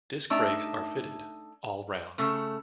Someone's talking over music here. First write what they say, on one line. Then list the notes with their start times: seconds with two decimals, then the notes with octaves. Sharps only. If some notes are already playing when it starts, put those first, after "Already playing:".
Disc brakes are fitted all round.
0.30 A3 D4 D#4 E5
2.18 C#3 A3